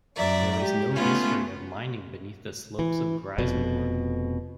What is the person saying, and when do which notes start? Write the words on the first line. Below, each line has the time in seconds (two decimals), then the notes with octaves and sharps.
There is no history of mining beneath the slopes of Grasmoor.
0.17 F#2 D5 E5 A#5
0.62 G#3 G4
0.96 A3 B3 C#4 F4
2.79 E3
3.38 F1 F2 B2